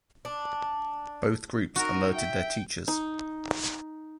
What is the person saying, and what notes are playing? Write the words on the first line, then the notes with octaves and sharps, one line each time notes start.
Both groups alerted their teachers.
D4
D#4 F#4 A#4
E5 G5
D#4